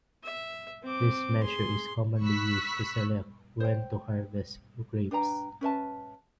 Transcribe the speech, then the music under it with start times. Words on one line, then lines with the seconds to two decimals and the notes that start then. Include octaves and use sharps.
This measure is commonly used to select when to harvest grapes.
0.23 E5
0.83 C4 D6
1.43 G#4 C6
2.22 B5 C#6 E6 F#6 B6
3.60 C5 G5
5.11 D4 B4 G5 A#5
5.61 C#4 B4 E5 A5